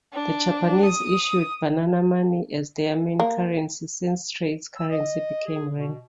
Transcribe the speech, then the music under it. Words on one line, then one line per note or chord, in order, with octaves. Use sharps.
The Japanese issued banana money as their main currency since Straits currency became rare.
D4
D#6
A#3
E6
D#5
G#4
B2